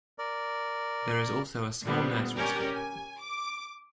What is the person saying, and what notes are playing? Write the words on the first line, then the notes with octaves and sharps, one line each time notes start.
There is also a small nursery school.
A#4 D5
A#2 D3 G3 B3 C4
C#4 G4 A#4 D5
G#5
D6